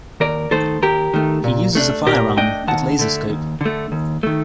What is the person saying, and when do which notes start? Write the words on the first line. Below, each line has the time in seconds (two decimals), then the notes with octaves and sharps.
He uses a firearm, with laser scope.
0.20 D#2 A#4 D5
0.51 D#3 A3 A4 C5
0.82 D#2 G4 A#4
1.13 D#3 A3
1.44 A#2
1.75 A3 D4
2.06 A#2 G4 A#4
2.37 A3 D4 D#5 G5
2.67 D#2 F#5 A5
2.99 D3 A3
3.30 D#2
3.61 D3 A3
3.92 D#2
4.23 D#3 A3